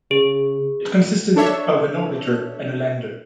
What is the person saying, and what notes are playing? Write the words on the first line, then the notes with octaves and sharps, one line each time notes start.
It consisted of an orbiter and a lander.
C#3 G#4
D4 A4 C#5 E5